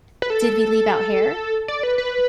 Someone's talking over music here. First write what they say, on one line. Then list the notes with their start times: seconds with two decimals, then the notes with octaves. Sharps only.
Did we leave out hair?
0.22 B4
0.30 A4
1.68 D5
1.83 B4
1.98 B4